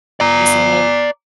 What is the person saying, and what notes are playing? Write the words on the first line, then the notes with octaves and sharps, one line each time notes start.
guess I mean
D5 A#5